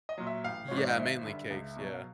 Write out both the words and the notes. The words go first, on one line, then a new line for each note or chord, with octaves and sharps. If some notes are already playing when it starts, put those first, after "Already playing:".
Yeah, mainly cakes, yeah.
D#5
A#2 F#3
E5
A1 F5
G#2 F3 C#5
D5
D#5
G#1 E5
G2 D3
C#2
B2 F#3
F5